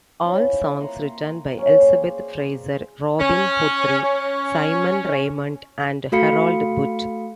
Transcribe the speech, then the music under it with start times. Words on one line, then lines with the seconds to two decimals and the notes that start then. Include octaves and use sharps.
All songs written by Elizabeth Fraser, Robin Guthrie, Simon Raymonde and Harold Budd.
0.23 C4 C#4 E4 F4
0.80 A#3 F#5 A#5 C6
1.58 F#3 A#3 C4 C#4
1.78 G#4 C5 C#5 F5
2.02 D5
2.40 C5
3.19 C#4
4.03 C#4
6.12 A3 F#4 A4 F5 B5 C#7